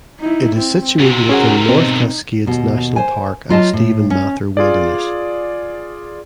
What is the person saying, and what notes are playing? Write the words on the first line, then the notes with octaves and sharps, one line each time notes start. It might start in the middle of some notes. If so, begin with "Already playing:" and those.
It is situated within North Cascades National Park and Stephen Mather Wilderness.
D#4 E4
C4
G#2 C3 F#4
C#4 F#4 G#4 A#4 F#5
B2 C4 D#4
D#2 B2
C5 G#5
F#3 F4 D#5 A5
A2
C#4
F4 G#4 D5